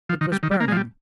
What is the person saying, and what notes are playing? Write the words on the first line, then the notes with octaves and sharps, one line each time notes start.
It was burning.
F3
D#3
G3
D#3
G3
A#3
G#3
F3
G3